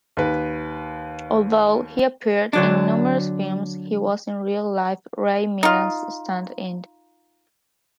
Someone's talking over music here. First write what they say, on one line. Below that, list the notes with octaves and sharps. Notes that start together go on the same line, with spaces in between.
Although he appeared in numerous films, he was in real-life Ray Milland's stand-in.
D#2 B4
D3 F#3 D4
D#4 F4